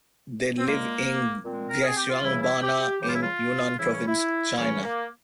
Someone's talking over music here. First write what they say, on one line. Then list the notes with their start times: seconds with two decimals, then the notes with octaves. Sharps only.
They live in Xishuangbanna in Yunnan province, China.
0.58 C4
0.67 A#2 G#3 A#3
1.44 A#2 G#3 C4
1.69 A#4
1.83 G#4
1.97 G4
2.09 F4
2.22 C#3 E3 G3 E4
2.42 E4
2.61 G4
2.80 G4
3.00 C#3 E3 G3 G4
3.08 F4
3.15 E4
3.22 F4
3.78 C#3 E3 G3 E4
3.92 C#4
4.07 E4
4.57 C#3 E3 G3 C#4
4.83 A#3